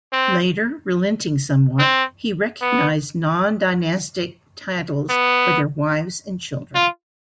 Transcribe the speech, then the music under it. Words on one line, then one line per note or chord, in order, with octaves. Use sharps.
Later, relenting somewhat, he recognised non-dynastic titles for their wives and children.
C4
C4
B3
B3
F4